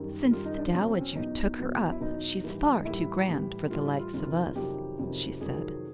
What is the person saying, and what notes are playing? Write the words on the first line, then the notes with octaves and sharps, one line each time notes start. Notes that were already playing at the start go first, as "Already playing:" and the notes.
"Since the Dowager took her up she's far too grand for the likes of us," she said.
Already playing: F#2 D#3 G3
F#2 D#3 G3 F4
D#4
D4
E2 B2 F#3 C#4
C4
C#4
E2 B2 F#3 D#4
E2 B2 F#3
E4
E2 B2 F#3 D#4
A2 E3 G3
D#4
A2 E3 G3 E4
A2 E3 G3
A2 E3 G3 F4
E4
F4
F2 C3 D#3 F#3 F4
F2 C3 D#3 F#3 G4
F2 C3 D#3 F#3
F2 C3 D#3 F#3 G#4